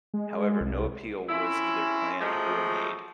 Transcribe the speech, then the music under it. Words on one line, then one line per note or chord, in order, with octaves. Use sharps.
However, no appeal was either planned or made.
G#3
C2
C4 C#4 E4
F3 F#3 G#3 A3 C#4